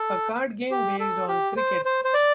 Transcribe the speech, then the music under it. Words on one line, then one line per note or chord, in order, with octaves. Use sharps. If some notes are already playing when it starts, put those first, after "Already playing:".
A card game based on cricket.
Already playing: A4
G4
A4
G4
C5
C5
C5
D5